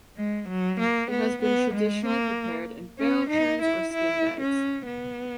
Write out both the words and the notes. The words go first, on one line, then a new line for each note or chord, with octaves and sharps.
It has been traditionally prepared in barrel churns or skin bags.
G#3
F#3
A#3
B3
B3
G#3
A#3
C#4
D#4
E4
E4
C#4
B3